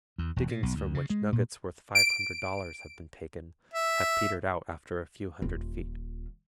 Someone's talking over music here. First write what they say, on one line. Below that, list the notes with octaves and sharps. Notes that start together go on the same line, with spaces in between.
Diggings from which nuggets worth five hundred dollars have been taken have petered out after a few hundred feet.
E2
E1
A#2
B1
D2
C#3
G#3
A#2
D7
E5
D#1 F4